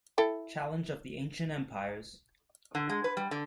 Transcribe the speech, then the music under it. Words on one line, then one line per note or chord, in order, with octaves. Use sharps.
Challenge of the Ancient Empires!
E4 A4 G5
D3
G#3
B4
G3
D3